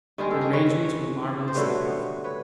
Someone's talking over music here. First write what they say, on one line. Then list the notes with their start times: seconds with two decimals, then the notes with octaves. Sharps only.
The arrangements were marvelously perfect.
0.18 G2 D#3 G#3 G#4 A#4
0.30 G4 A4
0.41 G#4 A#4
0.53 B4 C#5
1.48 C5
1.55 G2 D3 F#3 A3 B4 C#5
2.24 B4 C#5